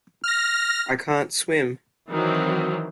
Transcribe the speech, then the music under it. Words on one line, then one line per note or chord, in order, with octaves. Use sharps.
I can't swim.
F6 A#6
D#3 E3 F#3 C4